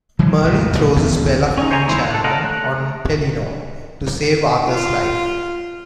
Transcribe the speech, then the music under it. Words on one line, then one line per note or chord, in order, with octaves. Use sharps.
Merlin throws a spell of enchantment on Pellinore to save Arthur's life.
E3 F#3 G#3
D1 A#1 E2 C3
D#1 D2 E3 B3
C#4 D#4
C5 C#5 E5 G#5 A#5
D#3 G#3 B3 E4 C5
D4 A4
A4 A#4 D#5 F5 F#5
A3 F#6
F4